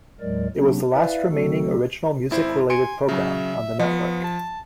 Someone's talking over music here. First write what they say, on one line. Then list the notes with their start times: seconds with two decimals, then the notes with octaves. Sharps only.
It was the last remaining original music-related program on the network.
0.20 D#2 A2 F#3 G#3 A#4 D5
0.57 C3 F#3 A#3 C4 D4
0.93 E4 B4 D5 E5 F5
1.30 C#3 F#3 A3 C4 F#4 A4
2.31 G#1 E4 C5
2.70 G#5 C6 C#7 D7
3.09 C#3 F#3 E5
3.79 F3 B3
4.24 A5